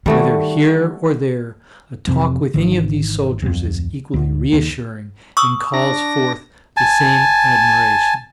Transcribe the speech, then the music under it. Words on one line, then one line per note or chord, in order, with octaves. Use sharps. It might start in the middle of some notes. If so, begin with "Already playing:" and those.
Whether here or there, a talk with any of these soldiers is equally reassuring, and calls forth the same admiration.
D#3 G3 A3 F#4
F2 C3
G#1 D#3 E3
D1 F2
D2
D#2
C#6 D#6 E6
D4 A#6
G#5 A5